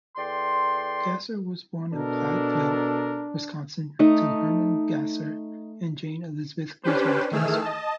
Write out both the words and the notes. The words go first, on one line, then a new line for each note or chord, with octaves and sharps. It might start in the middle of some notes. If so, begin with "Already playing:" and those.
Gasser was born in Platteville, Wisconsin, to Herman Gasser and Jane Elisabeth Griswold Gasser.
E2 A4 D5 G5 C6
B2 D4 A4 A#4
A3 D#4
C#4 D4 G4 B4 C5
D#3 E3 A3 G#4 E6 F6
D#5 A5